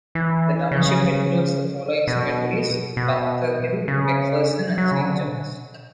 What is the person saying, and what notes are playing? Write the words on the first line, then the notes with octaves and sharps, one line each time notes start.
The township includes the following cemeteries: Bunker Hill, McPherson and Saint Johns.
E3
C#3
B2
B2
C#3
F#3
C#3
D3